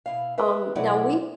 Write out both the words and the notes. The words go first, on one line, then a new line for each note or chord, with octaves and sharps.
um, now we t
B2 E4 F5
A#4 B4 E5
B2 F#3 C4 E4 D5